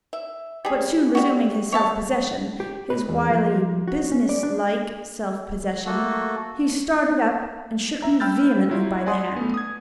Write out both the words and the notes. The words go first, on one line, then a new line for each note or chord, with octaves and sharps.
But soon resuming his self-possession--his wily, "business-like" self-possession--he started up, and shook me vehemently by the hand.
E5
G3 G#4
G3 F#4
C#5 E5 A5
G4
B4
E2
F3
F#4
C#4
D5
D4
A3 A#3 F#4 A4
E5 A#5
G5 B5 E6 F6 G6 A6
F#3 E4 F4
D5 F#5 G#5 B5 C6 D#6
A3 B3
D#6 G#6